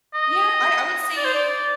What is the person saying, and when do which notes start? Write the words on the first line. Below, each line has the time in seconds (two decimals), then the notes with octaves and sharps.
Yeah, I I would say
0.14 D#5
1.16 D5
1.25 C5
1.34 D5